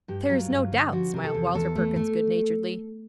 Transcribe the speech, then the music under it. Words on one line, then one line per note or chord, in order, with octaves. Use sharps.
"There is no doubt," smiled Walter Perkins good-naturedly.
G2 G4
F#3 F4
G2
D3
F3 F#4
C3 A#4
A4
E2
E2 A4
A3
A3